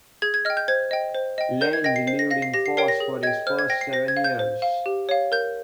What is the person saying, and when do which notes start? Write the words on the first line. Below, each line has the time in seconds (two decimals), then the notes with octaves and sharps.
Lange lived in Foss for his first seven years.
0.22 G#4 G#6
0.34 G#6
0.45 D#5 F6
0.50 G5
0.57 G6
0.68 C5 G#6
0.91 D#5 G5
1.15 C5
1.38 D#5 G5
1.61 A#4 G6
1.73 G#6
1.84 D#5 G5 A#6
1.96 C7
2.07 C5 C7
2.19 A#6
2.31 F5 A#6
2.42 C7
2.54 G4 A#6
2.66 C7
2.77 A#4 C#5 G5 C7
2.88 A#6
3.00 G#4
3.23 D#5 G#6
3.27 G5
3.47 C5 F6
3.59 G#6
3.70 G5 A#6
3.81 C7
3.93 C5 A#6
4.08 G#6
4.17 F5
4.24 G6
4.39 C5
4.62 F5
4.86 G4
5.09 C#5 F5
5.32 A#4 G6